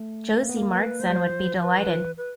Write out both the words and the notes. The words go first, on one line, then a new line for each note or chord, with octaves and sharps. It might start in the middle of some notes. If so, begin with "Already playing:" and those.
Josie Marsden would be delighted.
Already playing: A3
A#3
B3
A#3
B4
A3 C5
G3
F#3
F3
C5
B4
F3
E3
B4